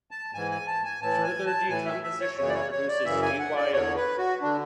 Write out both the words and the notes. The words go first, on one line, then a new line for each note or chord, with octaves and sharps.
Further decomposition produces DyO.
A5
G#2 E3 G#5
G#5
A5
G#5
A2 E3 A5
G#5
A5
A2 E3 G#5
E5
E5
C#5
F#2 C#3 E3 C#5
D5
C#5
C#5
D5
F#2 C#3 E3 E5
G#5
F#5
D5
E2 D3 C#5
B4
F#4
D3 D4